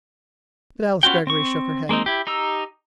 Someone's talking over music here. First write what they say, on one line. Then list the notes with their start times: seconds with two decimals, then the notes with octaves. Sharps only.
But Alice Greggory shook her head.
1.03 B3 C#4 F4 F#4 G5
1.27 C4 C#6
1.89 G#3 A#3 C4 D#4
2.06 E4 G4
2.27 D#4 G4 A#5 E6